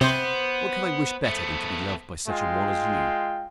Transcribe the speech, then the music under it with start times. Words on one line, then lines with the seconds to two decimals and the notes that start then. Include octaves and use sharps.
What could I wish better than to be loved by such a one as you?
0.01 C3 B3 C5
1.26 A3 B3
2.28 G#3 F4 G5